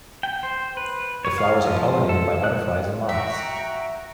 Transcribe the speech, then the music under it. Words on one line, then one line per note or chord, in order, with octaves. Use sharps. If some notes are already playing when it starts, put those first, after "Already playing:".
The flowers are pollinated by butterflies and moths.
G5
C5
B4
C#5
F5
F3
A4
F#6
F#4 E5 G5 A#5 C#6